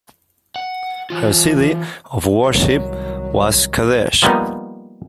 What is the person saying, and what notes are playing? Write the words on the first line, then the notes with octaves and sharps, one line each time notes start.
Her city of worship was Qadesh.
F#5
E3 F4
C2 D#3 F#3
F3 G3 A#3 B3 D#4